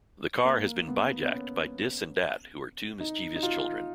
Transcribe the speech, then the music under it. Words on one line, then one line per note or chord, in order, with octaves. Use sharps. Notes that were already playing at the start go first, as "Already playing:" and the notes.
The car has been bijacked by "Dis" and "Dat", who are two mischievous children.
A#3
B3
B3
C#4
D#4
D#4
F4